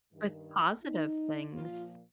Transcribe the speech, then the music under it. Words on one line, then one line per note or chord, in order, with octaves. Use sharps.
With positive things.
G2 D#3
D#4
A#2 F3 F4